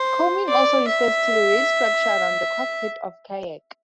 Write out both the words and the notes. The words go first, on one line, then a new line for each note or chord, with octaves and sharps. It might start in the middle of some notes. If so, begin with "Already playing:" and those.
Coaming also refers to the raised structure around the cockpit of a kayak.
Already playing: C5
D5
E5